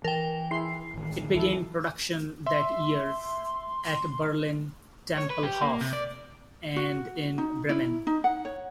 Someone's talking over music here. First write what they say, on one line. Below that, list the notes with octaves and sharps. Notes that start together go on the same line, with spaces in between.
It began production that year at Berlin Tempelhof, and in Bremen.
E3 A#4 G5 A5
E4 G#4 C6 C7
A1 D#3
D2 E3 F#3 E4 A4
E5 C6
C#5
B4
G4
A#3
C3
D5
F#4
D#4
E4
D#4
F#5
C#5